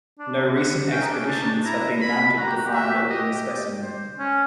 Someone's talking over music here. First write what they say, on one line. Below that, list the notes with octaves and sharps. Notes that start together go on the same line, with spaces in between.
No recent expeditions have been mounted to find a living specimen.
D4
F#5
C#4 G5
D#4
D4
C#4
D4 A5
D#4
D4
E4 A#5
B5
F#4 A#5
G4
F#4
G4
F#4 E5
G4
F#4
G4 D#5
D5
C5
C#4